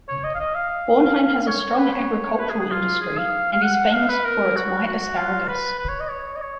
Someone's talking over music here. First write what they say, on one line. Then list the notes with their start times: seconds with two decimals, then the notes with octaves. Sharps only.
Bornheim has a strong agricultural industry and is famous for its white asparagus.
0.08 C#5
0.24 D#5
0.35 F5
0.39 D#5
0.55 F5
1.47 C#5
1.79 B4
1.94 C#5
2.40 B4
2.50 G#4
2.60 G#4
2.71 F4
3.01 G#4
3.17 F5
3.52 F5
3.63 F#5
3.94 F5
4.10 B4
4.24 A#4
4.56 F#4
4.86 F#4
5.17 F4
5.48 B4
5.79 B4
5.89 C#5
6.00 D#5
6.10 C#5
6.36 D#5
6.41 C#5